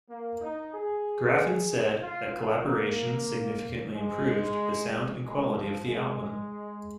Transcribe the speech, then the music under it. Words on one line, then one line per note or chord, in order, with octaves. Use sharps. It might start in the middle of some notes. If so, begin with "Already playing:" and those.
Graffin said that collaboration significantly improved the sound and quality of the album.
A#3
D#4
G#4
F4
F4
A#3
G#3
G#3
F3
G#3